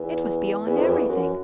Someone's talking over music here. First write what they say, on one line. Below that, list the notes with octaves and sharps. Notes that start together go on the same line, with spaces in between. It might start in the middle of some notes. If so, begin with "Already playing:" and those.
It was beyond everything.
Already playing: E2
E2
F2
E2
F#2